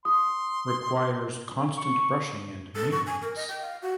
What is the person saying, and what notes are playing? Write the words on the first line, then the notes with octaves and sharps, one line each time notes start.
Requires constant brushing and maintenance.
C6 D#6
C#6
A4
C#6
G#5
A#4
D#5
G5
F5
F#4